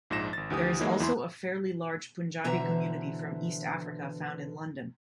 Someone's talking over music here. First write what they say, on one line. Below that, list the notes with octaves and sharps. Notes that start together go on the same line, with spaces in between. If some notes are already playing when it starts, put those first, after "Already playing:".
There is also a fairly large Punjabi community from East Africa found in London.
A#1 G#2 F3 A#6 E7
G#1 A6
D2 E3 G4 D#6
E3 F#3 G#3 A#3 D#4 E4
E2 E4 C6
B2 D3 E3 C5 E5 A#5